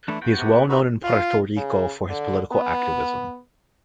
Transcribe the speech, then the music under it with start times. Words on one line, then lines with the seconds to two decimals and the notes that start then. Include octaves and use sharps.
He is well known in Puerto Rico for his political activism.
0.08 E3 A3 D4 E4
0.21 G2 B3 F#4 G5
0.37 C3
0.69 D#4 F#4 B4
1.04 F4
1.57 C#3
2.10 D3
2.53 B3